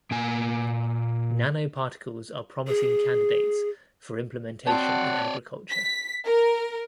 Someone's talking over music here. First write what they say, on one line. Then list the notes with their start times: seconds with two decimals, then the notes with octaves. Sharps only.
Nanoparticles are promising candidates for implementation in agriculture.
0.11 A#2 A#3 G#5
2.68 G#4
4.67 C4 F#4 C#5 D5 F#5 A5
5.71 B6
6.25 A#4